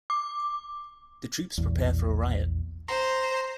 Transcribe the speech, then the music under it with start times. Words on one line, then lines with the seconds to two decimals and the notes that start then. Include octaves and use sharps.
The troops prepare for a riot.
0.10 D6
1.58 A#1 E2
2.88 C5 A#5 C6